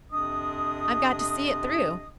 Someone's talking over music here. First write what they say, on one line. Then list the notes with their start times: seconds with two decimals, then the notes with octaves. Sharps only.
I've got to see it through.
0.11 F2 C3 D4 D#5 D#6